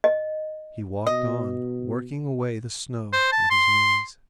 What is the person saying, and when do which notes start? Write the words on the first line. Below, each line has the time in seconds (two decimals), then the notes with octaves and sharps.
He walked on, working away the snow with his knees.
0.04 D#5
1.07 B2 D#5
3.13 C5
3.32 A5
3.50 C6